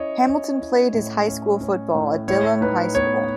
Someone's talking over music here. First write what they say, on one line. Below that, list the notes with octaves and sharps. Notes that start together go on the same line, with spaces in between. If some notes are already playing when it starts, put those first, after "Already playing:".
Hamilton played his high school football at Dillon High School.
Already playing: C#4 E4 C#5 D#5
C#4 C#5
E4
A2
C#4
C#4
A2
A2 C#5
D#4 B4
B3 C#5